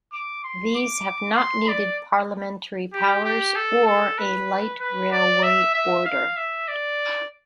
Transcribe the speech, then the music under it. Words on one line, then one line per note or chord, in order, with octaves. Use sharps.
These have not needed parliamentary powers or a light railway order.
D6
C6
D6
C6
D5
G4
G4
A4
A4
B4
B4
D5
E5
E5
F5
E5
D5